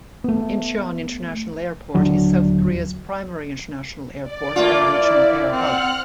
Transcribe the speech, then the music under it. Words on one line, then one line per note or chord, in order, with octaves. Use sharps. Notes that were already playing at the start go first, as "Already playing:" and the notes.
Incheon International Airport is South Korea's primary international airport and a regional air hub.
A3 B3
D#1 D3 F#3 D4
D5
A3 A#3 F4
E4
C4 F#5 F6 F#6